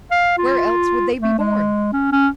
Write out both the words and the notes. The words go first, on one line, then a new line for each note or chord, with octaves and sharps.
"Where else would they be born?"
F5
F4
A3
G#3
C#4
C#4